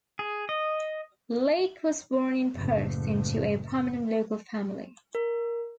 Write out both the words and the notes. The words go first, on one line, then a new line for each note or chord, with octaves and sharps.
Leake was born in Perth, into a prominent local family.
G#4
D#5
F#1 A2
A#4